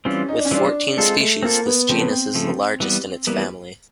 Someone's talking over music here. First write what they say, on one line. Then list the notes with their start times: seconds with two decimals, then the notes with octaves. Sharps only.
With fourteen species this genus is the largest in its family.
0.05 E3 G3 C4 C#4 F4
0.29 D#4
0.37 D4
0.45 C#4
0.51 E3 G3 C4 D4 F4
0.97 G#3 C4 F4 A4
1.20 A3
1.43 A#3 C4 F4 A4
1.66 B3
1.89 C#3 F3 A3 C4
2.00 B3
2.10 C4
2.35 C#3 F3 A3
2.80 E3 G3 B3
3.27 E3 G3 A#3 B3